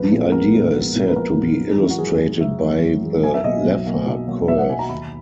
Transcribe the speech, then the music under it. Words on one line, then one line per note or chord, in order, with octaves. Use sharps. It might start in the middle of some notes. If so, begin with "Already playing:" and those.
The idea is said to be illustrated by the Laffer curve.
Already playing: A#1 B4
A#2 G#3 B3 E4
A#1 A#4
A#2 G#3 B3 E4
A#1
A#2 G#3 B3 E4
B4
A#1 A#4
A#2 G#3 B3 E4
F#2
E3 G#3 E4
F#4
F#2 G#4
E3 G#3
F#2 E5
E3 G#3
F#2
E3 G#3
B1 G#5
E5
B2 F#3 A#3 D#5
B1
B2 F#3 A#3
B1
B2 F#3 A#3
B1 E5
F#5
B2 F#3 A#3 G#5
A#5
D#2 B5